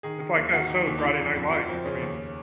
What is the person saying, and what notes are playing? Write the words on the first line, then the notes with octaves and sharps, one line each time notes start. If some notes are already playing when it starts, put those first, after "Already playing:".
It's like that show, Friday Night Lights, I mean,
D#3 G#4
D#3
D#2
D#3 F#4
D#3
D#2
D#4
C#3 F4
F2
F2
F#4
F2 F4
F2 C4
C#3 C#4
D#2